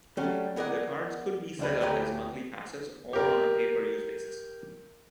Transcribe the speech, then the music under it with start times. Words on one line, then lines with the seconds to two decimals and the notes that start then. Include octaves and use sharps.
The cards could be set up as monthly passes or on a pay-per-use basis.
0.17 F#3 G3 A3 C#4
0.56 B3 G#4 A#4 D5 F#5
1.59 D2 G3 D4 B4
1.81 D2 A3 G4 B4 G#5 A#5
3.13 G4 A#4